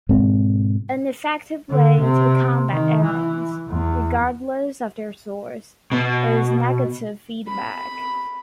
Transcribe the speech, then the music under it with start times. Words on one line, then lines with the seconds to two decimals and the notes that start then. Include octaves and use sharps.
An effective way to combat errors, regardless of their source, is negative feedback.
0.09 G#2 B2 G#3 C4
1.70 D3
2.00 C3
2.71 D#3
3.02 E3
3.69 E2
5.92 B2
7.48 B5